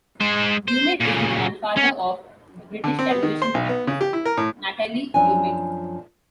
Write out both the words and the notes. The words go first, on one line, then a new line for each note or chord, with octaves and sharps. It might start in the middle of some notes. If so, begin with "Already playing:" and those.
Gumede is the grandfather of British television actress, Natalie Gumede.
G#3 C5
C5
A#2 C#3
C#4
D3
C4
B3
D#3
C5
B1
B3
C#3
G4
E4
A#4
A2
F#2 F3 C4 D4 G#5